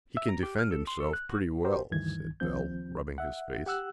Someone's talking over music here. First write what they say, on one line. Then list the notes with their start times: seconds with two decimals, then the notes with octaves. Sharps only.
"He can defend himself pretty well," said Bell, rubbing his face.
0.17 E5
0.29 A#5
0.43 G4
0.59 F6
0.71 A4
0.87 C6
1.00 A4
1.13 F#6
1.29 F#4
1.64 F#4 G4 A#4 C5
1.91 D2 G2 D#3 E3 G#6
2.40 D#2 F3 C4 G6
3.18 E5 F#5
3.66 G4 F#5 E6 F#6